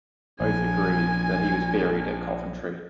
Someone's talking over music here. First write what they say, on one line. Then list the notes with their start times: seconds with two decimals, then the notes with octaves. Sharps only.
Both agree that he was buried at Coventry.
0.41 A#1 G#5